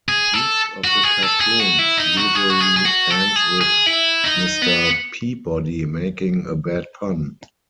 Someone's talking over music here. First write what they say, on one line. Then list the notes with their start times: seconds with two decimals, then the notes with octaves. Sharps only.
Each of the cartoons usually ends with Mr. Peabody making a bad pun.
0.09 G#4
0.34 A4
0.84 F#4
1.03 G#4
1.23 A4
1.41 G#4
1.60 F#4
1.79 E4
1.98 D#4
2.17 F#4
2.35 G#4
2.50 F#4
2.60 G#4
2.76 G#4
2.85 F#4
3.10 A4
3.36 G#4
3.61 G#4
3.86 E4
4.24 D#4
4.62 B3